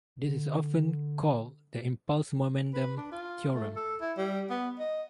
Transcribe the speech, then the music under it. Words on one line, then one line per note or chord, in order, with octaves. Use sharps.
This is often called the impulse-momentum theorem.
D3
B4
D4
F4
A3
A4
E4
G3
B3
D#5